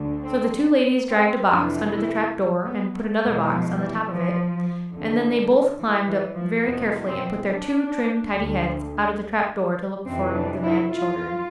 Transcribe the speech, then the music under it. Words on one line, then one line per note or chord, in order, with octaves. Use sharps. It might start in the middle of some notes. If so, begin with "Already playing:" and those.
So the two ladies dragged a box under the trap-door and put another box on the top of it, and then they both climbed up very carefully and put their two trim, tidy heads out of the trap-door to look for the 'mad children'.
Already playing: D2 D3
C4
C4
F2 C3 E3 D4
E4
B3
A3
E2 B2 G#3
F3
E3
F3
E2 D3
E3
E3
F3
E2 B2 B3
C4
D4
D2 D3
F2 C3 E3 C4
D4
E4
F4